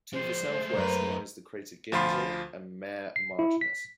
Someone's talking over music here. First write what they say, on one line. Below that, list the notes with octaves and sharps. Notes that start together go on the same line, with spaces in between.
To the southwest lies the crater Ginzel and Mare Marginis.
F3 G#3 C5
G#3 A3
C#2 F#2 A#4 B4
D2 F3 F4 B5 C6
C7
E4
B6